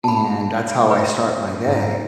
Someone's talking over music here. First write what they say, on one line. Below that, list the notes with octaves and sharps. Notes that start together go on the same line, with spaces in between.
and that's how I start my day.
A5 B5
B4
G#2